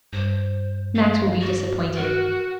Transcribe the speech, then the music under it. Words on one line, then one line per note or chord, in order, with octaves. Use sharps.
Max will be disappointed.
G2 C5
F5
F#4
F#4 A#4